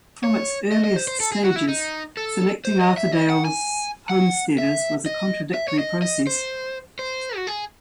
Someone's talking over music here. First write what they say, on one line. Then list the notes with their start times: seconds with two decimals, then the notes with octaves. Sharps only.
From its earliest stages, selecting Arthurdale's homesteaders was a contradictory process.
0.24 C#5
0.72 D#5
0.84 D#5
0.96 C5
1.08 C5
1.20 A4
1.32 G#4
1.44 F#4
1.56 E4
1.68 D#4
2.17 A4
2.65 C5
2.81 D#5
2.98 E5
3.13 D#5
3.30 F#5
3.45 G#5
4.10 F#5
4.58 E5
5.06 D#5
5.54 E5
5.68 C#5
5.79 D#5
6.02 D#5
6.27 C5
6.99 C5
7.36 F#4
7.47 G#4